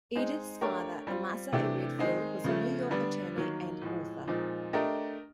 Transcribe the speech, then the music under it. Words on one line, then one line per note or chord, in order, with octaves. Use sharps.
Edith's father Amasa A. Redfield was a New York attorney and author.
G#3 C4 D#4
A3 D4 G4 A#4 C#5
G3 C4 F4
C3 E3 A3 D4 G4
D#3 G#3 C4 D#4
C#3 F3 A3
D3 G3 B3 D4
D#3 F#3 A#3
A2 F3 G#3
A#2 F3 G#3 C4 D#4
A3 D4 G4 A#4 D#5